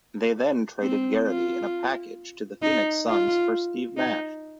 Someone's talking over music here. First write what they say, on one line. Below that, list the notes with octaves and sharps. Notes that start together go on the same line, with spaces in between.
They then traded Garrity in a package to the Phoenix Suns for Steve Nash.
C4
F4
D#4
F4
D#4